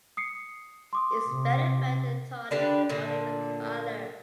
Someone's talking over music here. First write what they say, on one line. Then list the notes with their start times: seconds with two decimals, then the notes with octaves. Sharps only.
Its belly fur is tawny olive in color.
0.17 D#6 C7 C#7
0.93 C6 D6 D#6
1.27 C3
2.51 D3 D4 G4 B4
2.89 A#2 D3